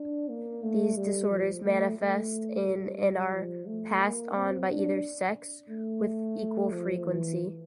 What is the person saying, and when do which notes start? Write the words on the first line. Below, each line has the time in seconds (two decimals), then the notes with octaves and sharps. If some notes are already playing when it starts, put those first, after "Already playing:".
These disorders manifest in and are passed on by either sex with equal frequency.
Already playing: D4
0.29 A#3
0.63 A3
0.97 G3
1.31 F3
1.64 A3
1.98 A3
2.66 G3
3.33 F3
3.66 A3
4.01 A#3
4.35 C4
4.68 D4
5.69 A3
6.71 F3
7.05 E3